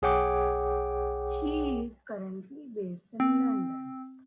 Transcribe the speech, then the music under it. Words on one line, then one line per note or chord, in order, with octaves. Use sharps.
She is currently based in London.
B1 G#4 C#5 F#5 G5 D6
C4